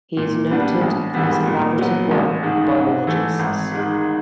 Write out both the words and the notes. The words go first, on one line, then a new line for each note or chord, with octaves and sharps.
He is noted for his collaborative work with biologists.
A#2
G3 B3 D4
A1
G#2 E3 G3 B3
A#2
F#3 B3
A1
G#2 D#3
G#2
E3 A3
G#1
G#2 D#3 G#3